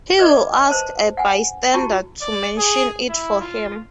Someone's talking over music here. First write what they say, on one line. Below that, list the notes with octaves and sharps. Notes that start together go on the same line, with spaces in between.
He will ask a bystander to mention it for him.
B4 D5 D#5 D6
B4 C5 A5
F#5 G#5
E4 F#4 G4 A5 C#6
D5
G#4
E4
F4